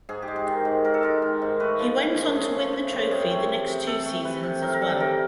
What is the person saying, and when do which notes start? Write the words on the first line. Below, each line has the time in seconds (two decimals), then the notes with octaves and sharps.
He went on to win the trophy the next two seasons as well.
0.09 G#2 G#4
0.22 G4
0.28 G#3
0.36 G#4
0.47 D#3
0.65 G#2
0.84 G#2 A#4
0.94 A4
1.03 G#3 A#4
1.22 D#3
1.42 G#2
1.60 A3 B4
1.79 F3
1.98 C#3
2.17 F#2
2.36 A3 G#4
2.54 F3
2.73 C#3
2.92 F#2
3.11 C3 G#4
3.30 A3
3.49 E3
3.67 C3
3.86 C3 A4
4.06 A3
4.24 E3 B4
4.43 C3
4.62 A2 A#4
4.73 A#4
4.81 G3 A4
5.00 E3 A#4